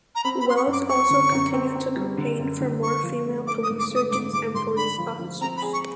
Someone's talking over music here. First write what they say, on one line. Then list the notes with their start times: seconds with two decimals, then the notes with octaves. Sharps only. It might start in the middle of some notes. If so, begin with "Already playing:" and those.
Wells also continued to campaign for more female police surgeons and police officers.
0.15 A#5
0.24 C4 B5
0.40 B5
0.46 C4 C6
0.56 C#6
0.67 F#2
0.72 D6
0.89 C4 C#6
1.10 D3
1.32 F#2
1.53 C4
1.75 C4
1.96 G3
2.18 D3
2.40 F#2
2.60 D3
2.82 D4 C#6
3.04 F3
3.26 A3
3.47 A3 D6
3.63 D#6
3.69 G#2
3.79 D6
3.91 A3
3.96 D#6
4.11 G#2 D6
4.33 G#2 D6
4.54 G#2 C6
4.76 D4 B5
4.98 F3
5.19 F3
5.41 C4 A#5
5.57 B5
5.62 G#4
5.73 C#6